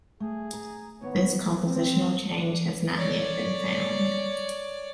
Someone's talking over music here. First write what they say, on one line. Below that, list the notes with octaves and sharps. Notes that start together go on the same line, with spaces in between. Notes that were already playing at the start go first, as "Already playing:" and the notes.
This compositional change has not yet been found.
A3 G#4
A#5
D#2 B3 C#5
C4
D4
C#5 D5